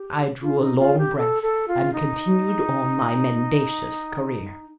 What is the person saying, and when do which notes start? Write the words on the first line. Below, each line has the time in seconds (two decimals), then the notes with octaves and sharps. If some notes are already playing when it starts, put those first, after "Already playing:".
I drew a long breath and continued on my mendacious career.
Already playing: G4
0.42 F4
0.60 D#4
0.79 F4
0.98 G4
1.17 A4
1.43 A4
1.68 F4
1.93 D#4